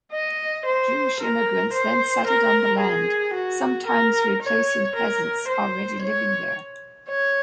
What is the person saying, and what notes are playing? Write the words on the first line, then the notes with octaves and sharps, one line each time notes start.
Jewish immigrants then settled on the land, sometimes replacing peasants already living there.
D#5
C5
A#4
C5
A#4
G#4
F#4
A#4
C#5
A#4
C5
C#5
C#5